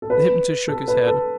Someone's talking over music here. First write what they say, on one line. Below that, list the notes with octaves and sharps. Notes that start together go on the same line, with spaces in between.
The hypnotist shook his head.
A4
B4
A4
B4
A4